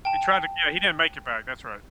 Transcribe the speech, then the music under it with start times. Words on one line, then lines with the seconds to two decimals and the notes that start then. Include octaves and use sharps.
He tried to, yeah. He didn't make it back, that's right.
0.05 G5 A5